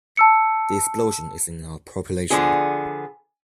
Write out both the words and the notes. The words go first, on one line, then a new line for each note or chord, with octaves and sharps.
The explosion is in our population.
A5 E6 C#7
D3 F3 B3 G#4